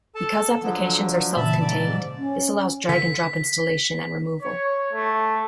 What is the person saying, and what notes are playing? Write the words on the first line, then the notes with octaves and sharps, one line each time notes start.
Because applications are self-contained, this allows drag-and-drop installation and removal.
A4 A5
D3 F3 F#3
A#2 C#3 E3 E5 A5 B5
G#2 D5
C#4
D3 B6
C#5
A3